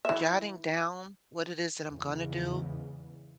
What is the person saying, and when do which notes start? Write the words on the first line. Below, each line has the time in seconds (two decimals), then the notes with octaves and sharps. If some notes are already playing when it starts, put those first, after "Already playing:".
jotting down what it is that I'm gonna do.
0.05 E3 E5
1.89 E2 G#2 C#3 E3